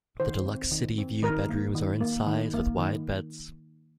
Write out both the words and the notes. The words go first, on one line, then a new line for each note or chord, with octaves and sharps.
The Deluxe City View bedrooms are in size with wide beds.
D#3 C5
C4
D#3
C4
D#3 A#4
A#3
D#3
A#3
D#3
A#3
D#3